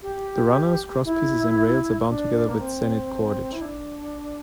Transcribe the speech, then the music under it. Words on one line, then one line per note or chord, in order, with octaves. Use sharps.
The runners, crosspieces, and rails are bound together with sennit cordage.
G4
E4
D4
A#3
C4
E4
D4